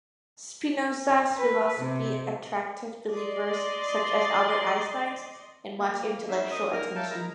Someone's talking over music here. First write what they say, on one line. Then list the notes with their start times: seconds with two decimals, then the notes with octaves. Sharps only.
Spinoza's philosophy attracted believers such as Albert Einstein and much intellectual attention.
1.38 B4
1.80 C3
3.13 D5 D#5 C6
5.79 A#3
6.28 F#3 G3 C#4 D#4 C5 E5
6.51 F#2 A#4 D#5 D#6
6.72 D3 A#3 D#4 A#4
6.95 A#4 C#5 E5 F5 G5 A5
7.10 D#4 E4 G#4 A#4 A#5